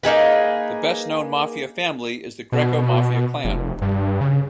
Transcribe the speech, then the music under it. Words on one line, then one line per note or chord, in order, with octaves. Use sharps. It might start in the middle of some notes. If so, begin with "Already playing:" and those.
The best known Mafia family is the Greco Mafia clan.
A#3 D#4 G#4 B4
B2
F1
G2
C#3